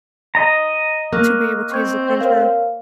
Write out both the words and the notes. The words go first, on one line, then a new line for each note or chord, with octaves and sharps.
to be able to use the printer.
D#5 A#5
A#3 C#6 F6 F#6
C4 C#6 G6 G#6
A#4 C#5 F5